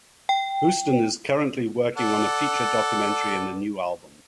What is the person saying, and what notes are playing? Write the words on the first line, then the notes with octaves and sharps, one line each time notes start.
Houston is currently working on a feature documentary and a new album.
G5
A4 D5 F#5